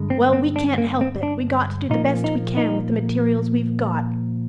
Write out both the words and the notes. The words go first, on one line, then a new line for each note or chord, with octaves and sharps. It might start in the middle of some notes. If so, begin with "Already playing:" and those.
Well, we can't help it; we got to do the best we can with the materials we've got.
Already playing: G2 D3 G#3
C4
C4
D4
A#3
C4
D4
A#2 F3 A#3 D#4
D#4
D#4